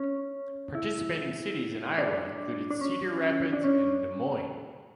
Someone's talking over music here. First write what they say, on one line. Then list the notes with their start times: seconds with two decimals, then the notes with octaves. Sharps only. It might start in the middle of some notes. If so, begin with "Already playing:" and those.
Participating cities in Iowa included Cedar Rapids and Des Moines.
Already playing: C#4
0.75 E4
1.98 D4
2.71 D4
2.81 C#4
3.53 D4
3.64 C#4